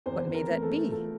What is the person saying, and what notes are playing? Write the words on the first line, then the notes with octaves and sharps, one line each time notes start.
What may that be?
E2 C5
E2
A#4
A3
A4
A3
F3 A4